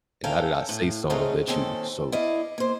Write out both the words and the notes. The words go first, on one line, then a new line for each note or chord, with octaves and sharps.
and now that I say something that you so
C#4 A4 A#4 E5 F5 G5
A2
G#2 A3 C4 C#4 D#4
A#2 D#3 C4 C#4 A4
E4 D5 D#5 F5
A#3 C5